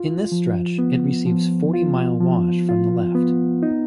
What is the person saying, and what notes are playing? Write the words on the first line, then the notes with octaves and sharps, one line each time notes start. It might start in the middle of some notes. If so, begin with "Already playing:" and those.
In this stretch, it receives Forty Mile Wash from the left.
Already playing: F4
F3
B3
F3
F4
F3
F4
B3
D#4